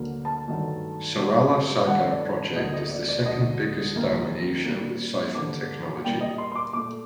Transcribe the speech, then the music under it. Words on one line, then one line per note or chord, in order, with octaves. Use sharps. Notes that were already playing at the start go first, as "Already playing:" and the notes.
Sarala Sagar Project is the second biggest dam in Asia with siphon technology.
Already playing: D2 D3 F#3 A#3
A5
G2 D#3 F#3 A3
G2 F#3 A3
G2 D#3 A3 F#5
D5
D5
D2 D3 F#3 A#3 D#5
D#5
D5
D5
D2 D3 F#3 A3 D#5
D#2 D#3 G3 A#3
A#2 G3 A#3
G2 D3 G3 A#3 D6
A#2 G3 A#3 G5
D#5
C6
C6
D6
A#2 A3 D6